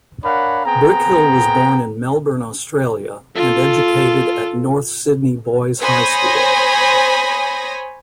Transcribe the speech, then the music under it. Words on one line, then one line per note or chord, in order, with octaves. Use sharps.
Brickhill was born in Melbourne, Australia and educated at North Sydney Boys High School.
D4 A#4 C#5 F5 F#5 B5
B3 C4 G#4 G5 A#5
F4 A4
C5 C#5 G#5 B5 D#6 A#6